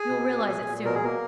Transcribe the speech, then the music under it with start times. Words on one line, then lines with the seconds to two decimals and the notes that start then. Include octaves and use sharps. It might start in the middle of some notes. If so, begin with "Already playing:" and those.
You will realize it soon.
Already playing: G#4 G#5
0.10 B2
0.29 B2
0.47 A#2
0.65 A#2
0.85 B2 A#4
0.95 G#4
1.02 B2 A#3 A#4